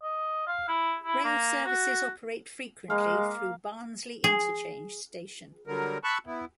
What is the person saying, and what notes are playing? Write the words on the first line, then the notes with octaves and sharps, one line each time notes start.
Rail services operate frequently through Barnsley Interchange station.
D#5
F5
E4
E4
A#3
F#4
G#3 A#3 F5
G#4
D3 F#3 G3 A#4
A5 B5 C#6 E6 F#6
B3 E4